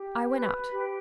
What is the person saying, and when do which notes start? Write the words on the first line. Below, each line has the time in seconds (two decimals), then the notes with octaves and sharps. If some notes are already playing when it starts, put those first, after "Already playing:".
I went out.
Already playing: G4
0.32 B4
0.73 G4